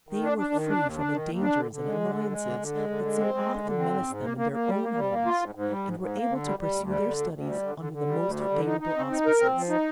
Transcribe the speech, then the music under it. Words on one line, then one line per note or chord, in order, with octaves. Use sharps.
They were free from the dangers and annoyances that so often menaced them in their own homes and were able to pursue their studies under the most favorable auspices.
D#3
D4
D4
D#3
D4
D#2
D4
D#3
D#2
D4
D3
D3
G#3
D3
G#3
G#3
D3
D3
G#3
D3
G#3
C4
G#3
D3
D3
C4
G#2
G#2
A#3
A#3
A#3
G3
A#3
G3
A#3
F4
G#2
G#2
G3
G#2
G#2
A#3
D3
G3
G3
D2
G3
D3
D2
D2
G3
D3
D3
D3
G3
D2
G3
D3
D#4
D#4
C4
D#4
A#4
C4
F3
D#4